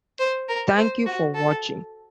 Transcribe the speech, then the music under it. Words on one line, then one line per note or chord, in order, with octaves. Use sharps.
Thank you for watching.
C5
A#4
C5
F#4
A4